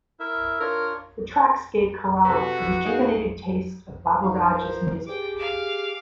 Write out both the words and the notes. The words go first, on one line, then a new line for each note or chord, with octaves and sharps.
The tracks gave Kerala a rejuvenated taste of Baburaj's music.
E4 A#4 E5
D4 F4 A#4 C#5
C3 F#4 A4 B4
D#4 G#4 F5
D#4 F5
F3 A#4 C5
G4 G#4 G5 D6
F5 D6